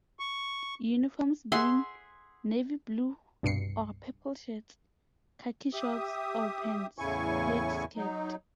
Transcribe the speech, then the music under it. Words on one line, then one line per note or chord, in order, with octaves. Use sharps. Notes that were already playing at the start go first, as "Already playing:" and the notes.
Uniforms being; navy blue or purple shirt, khaki shorts or pants, plaid skirt.
C#6
G#4 E5 F#5 C6
C2 G2 B2 C7 C#7
G4 E5 D#6
E2 A2 C#3 E4 G#5 C#6
F#3 D#4